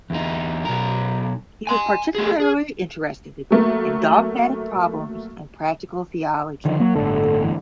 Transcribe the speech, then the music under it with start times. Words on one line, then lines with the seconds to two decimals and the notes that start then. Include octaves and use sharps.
He was particularly interested in dogmatic problems and practical theology.
0.10 E2 D#4
0.65 B1 A#4
1.67 G#5 C6
2.15 A3 G#4
2.40 G#4
3.51 F#3 A3 A#3
6.65 D3 D#3 F3
6.80 F#3 A#3
6.96 G1 A2 D3 A4
7.44 E3